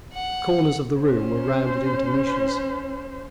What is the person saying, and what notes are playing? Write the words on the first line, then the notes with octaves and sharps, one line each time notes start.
The corners of the room were rounded into niches.
F#5
C#4 C5